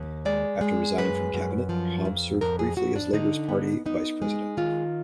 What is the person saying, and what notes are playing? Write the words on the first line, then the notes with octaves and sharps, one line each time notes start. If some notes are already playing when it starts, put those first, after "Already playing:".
After resigning from Cabinet, Hobbs served briefly as Labour's party Vice-President.
Already playing: D#2
G#3 D5
G#3
F#2 B4
F#2
F3
F2
F2 A#4
G#4
F2 F#4
D4
D3 D#4
B3
B3 D#4
G#3
D#3 F4